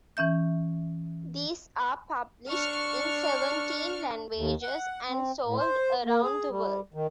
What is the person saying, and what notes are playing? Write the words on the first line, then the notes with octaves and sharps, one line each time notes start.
These are published in seventeen languages and sold around the world.
E3 C#4 E5 G6
D4 C#6 F6
D#2
F#5
C4
A2
C5
A#3
G#4
G3
D#3